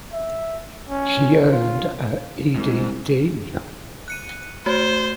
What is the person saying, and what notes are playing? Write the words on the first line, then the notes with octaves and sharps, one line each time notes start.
She earned a Ed.D.
E5
C#4
F4
C2 G#2
F#6 C#7 D#7
A3 F#4 C5 C#5